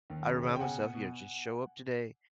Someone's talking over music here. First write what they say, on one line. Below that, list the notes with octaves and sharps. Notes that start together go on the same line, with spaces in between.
I remind myself, you know, "Just show up today,"
D#2
C#3
C#3
G5
B2 F#5 G#5
B3
B2